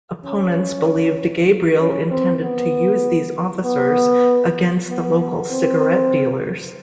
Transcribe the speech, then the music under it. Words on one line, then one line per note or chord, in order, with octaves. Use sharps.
Opponents believed Gabriel intended to use these officers against the local cigarette dealers.
C#4
C#4
C4
B3
B3
B3
C4